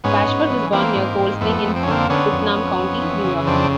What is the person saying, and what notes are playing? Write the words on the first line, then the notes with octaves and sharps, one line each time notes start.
Bashford was born near Cold Spring in Putnam County, New York.
G#2 B3 C#4
G#2
E3
E3 A#3 C4
G#2
G#2
F2 A3 B3
F2
C4
C#4
D3 A#3 C4
D3 B3 C#4
F2
F2
F2
E3
C#3
F2 C4 D4